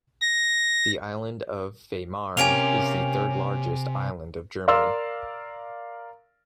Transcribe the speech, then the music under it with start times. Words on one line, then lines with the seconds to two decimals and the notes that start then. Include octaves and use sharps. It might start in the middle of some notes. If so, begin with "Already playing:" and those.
The island of Fehmarn is the third largest island of Germany.
0.22 A#6
2.37 C3 A#3 C#4 G4 G#5 D7 F7
4.68 A#4 D5 F5 C6 E6